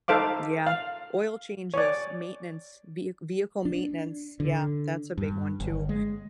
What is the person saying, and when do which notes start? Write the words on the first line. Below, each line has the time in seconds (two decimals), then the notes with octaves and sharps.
Yeah. Oil changes, maintenance, vehic vehicle maintenance. Yeah, that's a big one too.
0.08 D#4 A4 C5 F5 D6
0.67 F5
1.74 C#5 D5
3.65 D4
4.40 D3
5.18 G2
5.60 G1
5.89 G#3